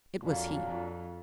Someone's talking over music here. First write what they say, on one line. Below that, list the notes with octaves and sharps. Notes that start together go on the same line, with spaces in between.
It was he.
F2 A#2 F#3 A#3 D4 F4
F2